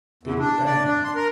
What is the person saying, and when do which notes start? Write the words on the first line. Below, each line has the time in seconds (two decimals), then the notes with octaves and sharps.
Big Bang!
0.23 E2
0.39 D4
0.65 D5
0.84 D4
1.04 C6
1.16 A#4